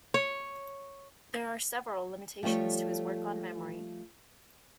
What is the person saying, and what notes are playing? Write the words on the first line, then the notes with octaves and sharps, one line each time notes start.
There are several limitations to his work on memory.
C#5
F3 G3 A3 C#5